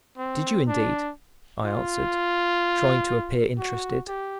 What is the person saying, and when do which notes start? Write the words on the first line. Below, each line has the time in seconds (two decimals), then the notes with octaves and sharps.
"Did you, indeed?" I answered, trying to appear interested.
0.18 C4
0.67 D4
1.65 F4
3.59 F#4
4.08 G4